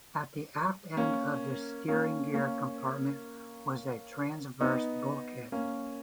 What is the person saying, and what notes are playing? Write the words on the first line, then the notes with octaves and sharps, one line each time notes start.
At the aft end of the steering gear compartment was a transverse bulkhead.
A#3 C#4
A#3 C#4
A#3 C#4
B3 D#4
A#3 C#4